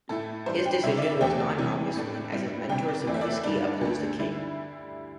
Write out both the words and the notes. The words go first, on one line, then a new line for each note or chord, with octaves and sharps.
His decision was not an obvious one, as his mentor Zamoyski opposed the king.
A2 A3 E4 A4
G2 E3 G3 D4 C5
G5
C2 C3 G3 E4 E5
D5
E5
E2 D3 A3 D4 G5
C3 E3 G3
A2 A3 D4
G2 G3 C4 E4
C2 C3 G3 D4 G5
D5
E2 E3 C4 E4 D5
E5
D5
G2 G3 D4 D5
D2 D3 A3
D3 G3 E4